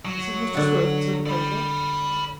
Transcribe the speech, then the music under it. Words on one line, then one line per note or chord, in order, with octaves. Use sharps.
"This is Mr. Swift," said the president.
F#3
D3 F#4
D5 B5